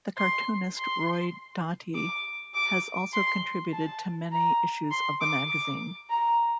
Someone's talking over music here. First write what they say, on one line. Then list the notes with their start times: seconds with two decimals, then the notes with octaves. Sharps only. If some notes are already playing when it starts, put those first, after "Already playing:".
The cartoonist Roy Doty has also contributed to many issues of the magazine.
0.17 C6
0.77 C6
1.95 D6
2.54 D6
3.13 C6
3.73 A5
4.32 A#5
4.91 C6
5.21 D6
5.50 D6
6.10 A#5